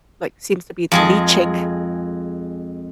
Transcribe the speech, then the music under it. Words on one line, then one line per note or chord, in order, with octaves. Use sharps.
like, seems to be leeching
F2 G#3 G#4